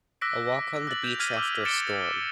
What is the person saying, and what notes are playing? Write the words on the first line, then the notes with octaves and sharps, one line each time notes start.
A walk on the beach after a storm.
D6 E6 F#6 A#6 B6 D7
E6 F#6 A6 F#7
G6 F7
F6 G#6 B6 D#7 F7
D6 E6 F6 G7
A6 C#7 D7 E7 G7